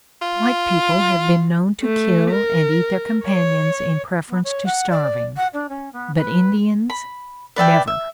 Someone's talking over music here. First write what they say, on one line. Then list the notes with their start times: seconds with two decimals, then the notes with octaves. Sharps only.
White people have been known to kill and eat their companions in preference to starving; but Indians--never!
0.22 F4
1.82 A3
2.31 A#4
3.26 C#5
4.29 B3
4.44 C#5
4.66 F#5
4.90 D5
5.37 F#5
5.53 D4
5.69 C#4
5.93 B3
6.16 B4
6.90 B5
7.56 B4 D5 E5 G5
7.87 E5